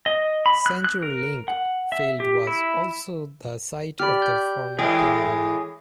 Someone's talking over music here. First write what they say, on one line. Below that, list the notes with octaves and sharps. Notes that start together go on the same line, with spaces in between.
CenturyLink Field was also the site of the former Kingdome.
D#5
B5
F#6
F#6
A#4
F#5
E5
G4
E4
G4 D5 B5 F6
G6
A2 E3 G#3 G#4 G5